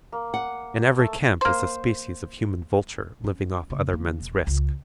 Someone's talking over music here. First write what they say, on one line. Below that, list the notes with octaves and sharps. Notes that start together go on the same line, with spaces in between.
In every camp is a species of human vulture living off other men's risk.
A#3
F#5
A3
A#3 C5
C#4
C#3 A3
D3 A#3
E1
C#2